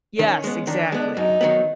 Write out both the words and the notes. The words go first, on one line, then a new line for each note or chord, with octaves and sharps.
Yes, exactly.
D#3 C#4
G#3 B3
D#3 D4
G#3 B3
F#2 D#4
D#3 F#3 B3